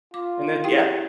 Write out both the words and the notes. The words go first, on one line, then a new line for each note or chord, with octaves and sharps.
and it yeah.
F4 D6
E4 G4 G5